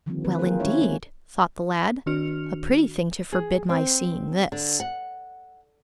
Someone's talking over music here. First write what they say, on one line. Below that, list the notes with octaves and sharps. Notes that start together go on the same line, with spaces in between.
Well, indeed! thought the lad; a pretty thing to forbid my seeing this.
D3 D#3 F3 G3 A#3 C4
D#3 F3 A3 C4 F4 B4
A#3 F4 G#4 A#4 C5
D#3 C#4 E4 C#5 E5
G#3 A#3 C4
D#3 D4 F#4 F6 C#7 F7
G#4
C4
D3
F#5